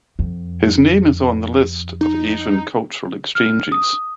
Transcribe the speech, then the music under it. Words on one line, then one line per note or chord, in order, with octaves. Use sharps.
His name is on the list of Asian cultural exchanges.
F2
D#4
F6
D#6